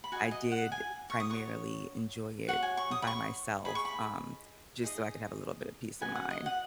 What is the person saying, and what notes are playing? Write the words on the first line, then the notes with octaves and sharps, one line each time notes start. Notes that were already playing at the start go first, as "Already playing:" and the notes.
I did primarily enjoy it by myself, um, just so I could have a little bit of peace of mind.
B5
F#4 D#5 G#5
D#5
F#5
G#5
C#6
D#6
F#4 C#5 C#6
F#4 C#5 F#5
G#5
C#6
D#6
B5
C#6
G#4 D#5 B5
C#6
B5
D#4 G#4 D#5
F#4 B4 D#5 G#5
F#5
D#5
F#5